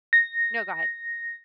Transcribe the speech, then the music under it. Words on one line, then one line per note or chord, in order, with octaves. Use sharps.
No, go ahead.
A#6